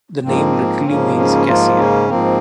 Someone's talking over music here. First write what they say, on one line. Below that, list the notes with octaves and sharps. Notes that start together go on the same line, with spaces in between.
The name literally means "cassia".
G#2 F3 A#3 C4
G#2 C#3 F3 A#3 C#4
C#3 C#4
G#2 F3 A#3 F4
C#3 C#4
G#2 F3 A#3 C4